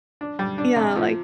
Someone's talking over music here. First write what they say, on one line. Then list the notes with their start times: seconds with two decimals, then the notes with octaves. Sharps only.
yeah, like
0.21 D4
0.39 G3
0.58 D4
0.76 C3
0.96 F3